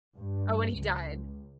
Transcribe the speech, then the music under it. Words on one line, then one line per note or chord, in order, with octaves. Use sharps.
oh, and he died.
G2
C#2